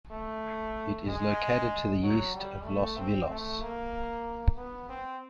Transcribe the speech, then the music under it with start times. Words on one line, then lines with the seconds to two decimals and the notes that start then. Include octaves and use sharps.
It is located to the east of Los Vilos.
0.11 A3
1.06 G#3
2.02 F#3
2.34 G3
2.65 A3
2.97 C4
3.30 A3
3.61 A#3
4.56 B3
4.89 C4